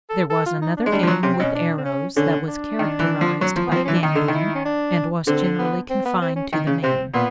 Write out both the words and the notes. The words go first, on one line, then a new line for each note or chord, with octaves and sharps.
There was another game with arrows that was characterized by gambling, and was generally confined to the men.
A4
A4
F4
D#4
D4
G#3
G3 D4
F3
F#3
C3 C#4
C4
B2
C#4
D4
C4
C#4
D3 C#4
D4
D#3
E3
F3
F#3
F3
B3
F3
C4
E3 C#4
D4
D#3 D#4
D3
D#3
E4
C#4
D4
D3 C4
B3
C4
B3
C4
C#4
D#3
C#3
C3 C4
A#2 B3